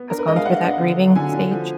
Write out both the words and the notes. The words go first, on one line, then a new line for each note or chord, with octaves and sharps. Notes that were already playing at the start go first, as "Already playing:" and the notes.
has gone through that grieving stage?
Already playing: B3
D4 A#4
B4
G#3 D#5
F5
D4 F#5
D4
D3
F#3
D3 G#5
D3
F3